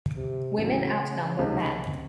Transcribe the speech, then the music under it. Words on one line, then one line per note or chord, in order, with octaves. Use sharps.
Women outnumber men.
C3
A1 A2 C#3 F#3
C#2 C3 D#3